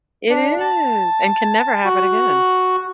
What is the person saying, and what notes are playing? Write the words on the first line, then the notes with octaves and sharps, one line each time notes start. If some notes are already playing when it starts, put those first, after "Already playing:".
It is and can never happen again.
D4
A5
F#4